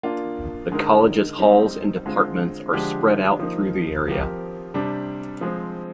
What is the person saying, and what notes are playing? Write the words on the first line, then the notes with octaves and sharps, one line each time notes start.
The college's halls and departments are spread out through the area.
A#3 D4 F4
D3 G#3 D#4 A#4
G3 C4 D#4
D3 G#3 C4 F4
D3 F3 G#3 D4 G4
F3 A#3 D#4
F3 C4 G4 A#4
C3 G3 D4
F3 G#3 C4